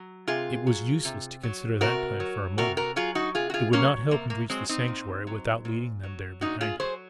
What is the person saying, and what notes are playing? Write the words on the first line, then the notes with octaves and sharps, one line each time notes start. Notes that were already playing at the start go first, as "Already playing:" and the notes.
It was useless to consider that plan for a moment. It would not help him to reach the Sanctuary--without leading them there behind him!
Already playing: F#3
C3 F4 G#4
F#3
C3
F#3
C3 F#4 A#4
F#3
C3 F#4 A#4
F#4 A#4
F#3 F4 G#4
D#4 F#4
C3 F4 G#4
F#4
F4 G#4
F#3 A#3 C#4
C3 A#3
A#3
F#3 G#3 C4
C4 D#4
A#2
F#3
A#2
F#3
A#2 D#4 F#4
F4 G#4
F#3 G#4 C5